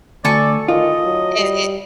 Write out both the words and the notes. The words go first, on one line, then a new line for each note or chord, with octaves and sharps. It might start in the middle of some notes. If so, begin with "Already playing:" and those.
and and
D2 A4 D5 G#5 C#6
D#3 F4 D#5
F#3
G3